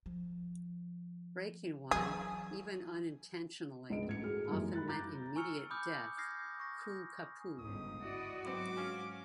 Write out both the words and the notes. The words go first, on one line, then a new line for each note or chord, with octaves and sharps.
Breaking one, even unintentionally, often meant immediate death, "Koo kapu".
F3
E3 F#3 G#4
C#2 G#2 D4 D#5 D7
A1 G#6 C#7
A2 F#4 G#4 F6
F#2 E3 G3 G#3 A#3 D#4
B5 F#6 A6
A#5 D6 G6 A6
G#5 C#6 E6 F6 C#7 F7
B5 D6 D#6 F6 G6
D#6 F6 G6 G#6 A#6 C7
C#6 A#6
G1 C#2 G#2 D#6
E4 F#4 D5 D#5
G#2 F#3 B3 C4 D6
C#4 F4